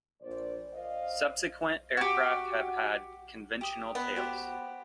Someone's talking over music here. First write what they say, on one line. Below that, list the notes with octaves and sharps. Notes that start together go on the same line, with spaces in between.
Subsequent aircraft have had conventional tails.
A#1 C5 D5
C5 D5 D#5 F5
F#4 G4
G4 D#6
B3
F#4 G4 C5